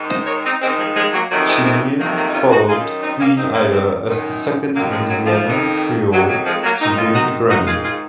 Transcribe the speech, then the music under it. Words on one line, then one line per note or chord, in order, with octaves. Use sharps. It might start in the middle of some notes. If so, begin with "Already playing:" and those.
Chenier followed Queen Ida as the second Louisiana Creole to win a Grammy.
Already playing: G#2 D#3
C5 D#5
A#4 C#5
C4 D#4
G#2 D#3 G#3 C4
F3 G#3
F3 G#3
F#3 A#3
F2 C3 D#3 F#3
G#3 C4
G#3 C4
F2 C3 D#3 F#3 A#3
F#3 A#3
D#4
C#4 F4
D#4 F#4
F#2 D#3 F4 G#4
C4 D#4
A#3 C#4
F#2 D#3 C4 D#4
A#3 C#4
G#3 C4
F#2 D#3
F#2 D#3 F#3 A#3
F3 G#3
F#3
F3
F2 D#3
F2 D#3 F#3
F#3
F3 G#3
F#3 A#3
G#2 D#3 C4 D#4
C#4 F4
D#4 F#4
G#2 D#3 D#4 F#4
F4 G#4
F4 G#4